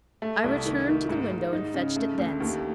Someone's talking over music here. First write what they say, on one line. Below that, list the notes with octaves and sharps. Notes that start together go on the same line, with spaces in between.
I returned to the window and fetched it thence.
A3
C2
D#3
D#3
G#2
G#2
D#4
C#3
A3
D2
D#2